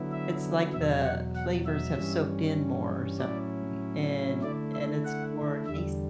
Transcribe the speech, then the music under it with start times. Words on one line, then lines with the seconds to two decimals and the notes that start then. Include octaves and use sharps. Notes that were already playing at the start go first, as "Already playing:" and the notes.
it's like the flavors have soaked in more, or something, and and it's more tasty.
Already playing: D3 F#3 B3 E4
0.12 E5
0.73 E2 B2 F#3 E5
1.04 F#5
1.35 F#5
1.66 E5
1.96 G2 E3 G3 C#4
3.19 A2 F#3 C#4 E4 D5
4.43 D3 A3 E4 D5
4.74 E5
5.05 F#5
5.66 E2 D3 G3 E5